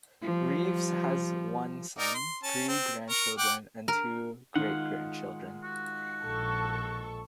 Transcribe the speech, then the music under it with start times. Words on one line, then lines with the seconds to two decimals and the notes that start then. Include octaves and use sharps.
Reeves has one son, three grandchildren and two great-grandchildren.
0.22 F3 G3
1.98 D#4 A#4 D5
2.15 C6
2.43 C#4 A5
2.69 C4
3.10 A#4 A#5 C#6
3.38 F#5 G5 D6
3.88 A#4
4.56 D#3 G#3 F4 F#5
5.63 F#4
6.24 A#1 A4 C#6